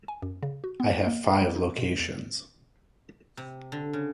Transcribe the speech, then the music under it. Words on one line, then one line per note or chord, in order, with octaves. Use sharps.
I have five locations.
G#5
F#2
C#3
F#4
B3
A#3
F#3
D#4
B2
E2
C3
D3
C#3